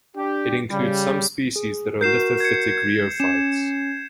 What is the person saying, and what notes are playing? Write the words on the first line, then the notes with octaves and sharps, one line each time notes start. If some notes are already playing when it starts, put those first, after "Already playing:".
It includes some species that are lithophytic rheophytes.
D4 G4
C#3 G3
G#4
F#4 A#4 G6 C7 E7
G#6 C#7
C#4 E7